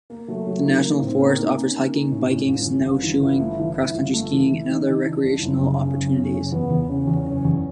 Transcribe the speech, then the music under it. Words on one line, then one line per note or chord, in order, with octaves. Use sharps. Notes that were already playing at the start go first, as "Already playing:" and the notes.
The national forest offers hiking, biking, snowshoeing, cross country skiing, and other recreational opportunities.
A#3
F#3 A3
F#3
A#3 D#4
D#4
A2 C4
A#3
C#4 D#4
D#4
A#3
D#4
A2
A2
G1
G1
G1
E3
G1 E4
A3
E3 E4
G1
G1 F4
A3
E3 E4
E3
E3 D#4
E3
E3 D4
G1
F#1 C#4
C#3
C#3
F#1
F#1 C#4
C#3
E2 B3
E2
C#3 C#4
E2
F#1 C#4
E2